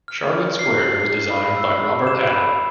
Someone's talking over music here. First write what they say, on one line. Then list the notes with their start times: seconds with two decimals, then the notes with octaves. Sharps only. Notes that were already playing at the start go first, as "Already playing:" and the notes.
Charlotte Square was designed by Robert Adam.
0.08 F6
0.59 C7
1.00 C7
1.31 B5
1.57 E6
2.07 E7
2.30 B5